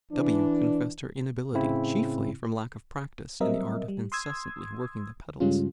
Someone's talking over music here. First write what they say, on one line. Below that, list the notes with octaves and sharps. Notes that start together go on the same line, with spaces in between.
W---- confessed her inability, chiefly from lack of practice in the art of incessantly working the pedals.
E3 D4
A2 C#3 C4 E4
F#3 G3 C4 A#4 D#5 E5
G3
C6 D#6 E6 G#6
G2 C#3 G3 G#3 C#4 F4